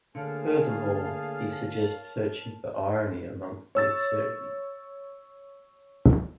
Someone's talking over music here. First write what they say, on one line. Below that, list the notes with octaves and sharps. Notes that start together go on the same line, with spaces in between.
Furthermore, he suggests searching for irony amongst the absurdity.
D3 A3 A#3 G#4 A#4 C#5 F5 A5
C#5 E6 A6